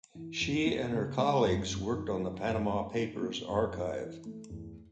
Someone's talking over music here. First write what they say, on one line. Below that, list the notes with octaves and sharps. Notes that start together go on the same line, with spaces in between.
She and her colleagues worked on the Panama Papers archive.
E3
E2
B3
C#3
G#3
F#2
F#2
D#3
F#3
F#2
A3
D#3
B3
F#2
E4
E3
A3
E2